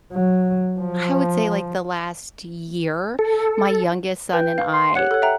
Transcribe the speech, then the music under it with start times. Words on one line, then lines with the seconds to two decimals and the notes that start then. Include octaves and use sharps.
I would say, like, the last year, my youngest son and I
0.12 F#3
0.80 F3
3.19 A4
4.33 B4 G5
4.58 F5
4.73 C6
4.95 G4 C#5 F#5 C#7
5.11 A4 C#5
5.22 E5 G5 A#5